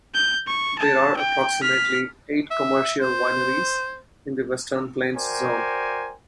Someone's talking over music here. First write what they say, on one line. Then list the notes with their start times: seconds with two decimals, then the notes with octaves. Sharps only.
There are approximately eight commercial wineries in the Western Plains zone.
0.14 G6
0.47 C#6
0.79 A5
1.17 G5
1.62 F6 B6
2.51 E5
3.01 C5
5.17 F#4 A#4 C5 D5 G5 G#5